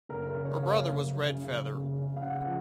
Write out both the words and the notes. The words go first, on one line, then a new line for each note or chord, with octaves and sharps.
Her brother was Red Feather.
F#1 A#4
A#4
C#3
C#5
F#1
F5
F#1
F#2
C#3
C#3
F#1
C#3
F5
C#3 F#5
F#5
F3